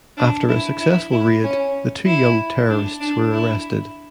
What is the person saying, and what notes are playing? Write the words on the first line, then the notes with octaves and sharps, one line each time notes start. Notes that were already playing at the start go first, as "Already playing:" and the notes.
After a successful raid, the two young terrorists were arrested.
D4
E4
E4
E4
C#4
E4
D4
D4
E4